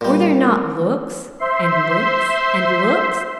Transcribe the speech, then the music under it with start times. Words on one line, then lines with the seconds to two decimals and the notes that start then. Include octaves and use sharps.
Were there not looks, and looks, and looks?
0.01 A#2 G3
1.39 C5 E5 C6